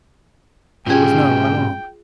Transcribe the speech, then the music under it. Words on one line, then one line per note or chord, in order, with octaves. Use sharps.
There was no alarm.
G#2 B2 C#4 F4 G4 G#4 G5